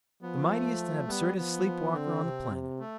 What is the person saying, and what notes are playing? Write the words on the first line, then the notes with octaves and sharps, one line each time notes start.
The mightiest and absurdest sleep-walker on the planet!
F3 B3
A3
G3 B3
F3 B3
F3
D3 C4
C3
C3
A3